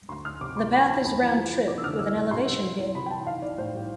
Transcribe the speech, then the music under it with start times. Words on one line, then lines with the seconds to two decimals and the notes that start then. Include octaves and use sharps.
The path is round trip, with a elevation gain.
0.09 D2 C6
0.25 D2 F6
0.41 C3 D6
0.56 F3 C6
0.72 G3 B5
0.89 G1 A5
1.04 F2 B5
1.21 E3
1.37 F3
1.51 F1
1.68 F2 D6
1.78 E6
1.84 D3 F6
1.99 C2 E6
2.15 C2 E6
2.31 B2 C6
2.47 G3
2.63 G3
2.79 C2
2.95 C3 B5
3.06 G5
3.11 E3 A5
3.26 B1 F5
3.42 B1 D5
3.58 A2 C5
3.74 G3